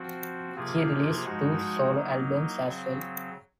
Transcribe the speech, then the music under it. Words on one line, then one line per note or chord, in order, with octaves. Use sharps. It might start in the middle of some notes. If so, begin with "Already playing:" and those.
Key released two solo albums as well.
Already playing: F3 C4 F#4
C3 F3 A#3 F4 G#4
F3 G#3 D#4 F#4
F#3 A#3 D#4
C#3 F#3 C4